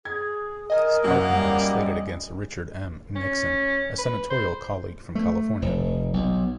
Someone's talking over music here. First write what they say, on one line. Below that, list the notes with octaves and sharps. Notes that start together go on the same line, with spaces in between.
Sparkman was slated against Richard M. Nixon, a senatorial colleague from California.
G#4 G#6
A#4 D#5 G#5 D#6
F#2 A#3 F#5
G3
C#4
B4
C5
A3
F1
B1